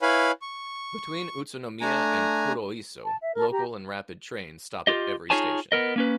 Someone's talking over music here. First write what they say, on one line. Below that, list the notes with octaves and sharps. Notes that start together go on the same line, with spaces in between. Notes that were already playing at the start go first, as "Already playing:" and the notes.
Between Utsunomiya and Kuroiso, local and rapid trains stop at every station.
E4 B4 C#5 F5 G#5 B5
C#6
A3 D4 G#5 A#5
A5
E5
A4 A#4
G4 A#5
F4 G4 D#5
D#4 F4 G#4 C#5 G#5 A5
B3 A#4 D#5
A#3 C#4 B4